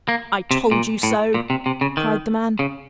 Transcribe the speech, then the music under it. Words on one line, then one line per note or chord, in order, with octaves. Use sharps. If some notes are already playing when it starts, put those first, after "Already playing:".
"I told you so," cried the man.
A#3
C3
A#2
A2
A#2
C3
C3
C#3
D#3
C#3